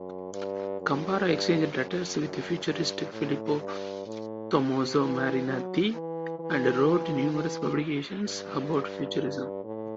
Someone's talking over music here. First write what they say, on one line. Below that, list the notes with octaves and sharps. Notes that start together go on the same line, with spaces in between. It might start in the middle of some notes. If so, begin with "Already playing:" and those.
Kambara exchanged letters with futurist Filippo Tommaso Marinetti and wrote numerous publications about futurism.
Already playing: F#2
G2
F#2
G2
F#2
F#2
G2
A2
G2
A2
C3
E3
F#3
E3
E3
E3
G2
A2